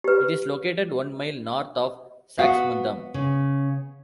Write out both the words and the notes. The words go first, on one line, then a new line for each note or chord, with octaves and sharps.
It is located one mile north of Saxmundham.
G4 B4
B3 F#4 F5
C#3